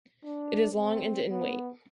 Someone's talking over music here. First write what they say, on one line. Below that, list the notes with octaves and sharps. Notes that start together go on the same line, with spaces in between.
It is long and in weight.
D4
C4
B3